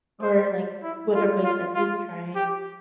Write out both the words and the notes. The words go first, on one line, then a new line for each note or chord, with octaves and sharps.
or, like, what are ways that you've tried
C5
E4
F4
F4
F4
G4